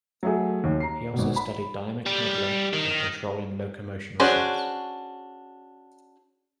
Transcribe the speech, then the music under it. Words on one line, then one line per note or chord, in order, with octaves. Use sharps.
He also studied dynamic modeling and control in locomotion robots.
F#3 A3 G#4
D#2
A#5 C7
G#1 B2
B5
G3
D#3
C#4 D4 F#4 G#4 C5